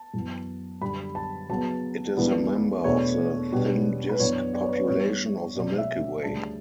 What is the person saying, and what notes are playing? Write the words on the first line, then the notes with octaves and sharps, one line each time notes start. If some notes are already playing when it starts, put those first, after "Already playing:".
It is a member of the thin disk population of the Milky Way.
Already playing: A5
F#2 E3 B3
F#2 D3 G3 B5
A5
C#3 F#3 B3 A5
C#2 C#3 E3 B3 D4
E2 B2 A3 D4 C#5
B2 G3 B3 D4
B4
F#2 E3 B3 D4 C#5
D5
C#5
B4
C#5
G2 E3 B3 D4 C#5
B2 F#3 C#4 D5
E5
D2 C#3 G3 D4 A5